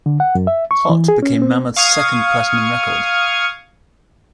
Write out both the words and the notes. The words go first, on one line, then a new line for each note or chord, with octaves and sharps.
"Hot" became Mammoth's second platinum record.
D3
F#5
F#2
E5
C#6
E3
G#4
C#4
C4
F5 C#6 D#6 G#6